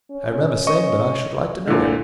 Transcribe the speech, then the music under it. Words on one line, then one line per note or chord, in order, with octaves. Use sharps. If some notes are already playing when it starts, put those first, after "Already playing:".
I remember saying that I should like to know him.
C#4
D#5 C#6
A#2 D3 E4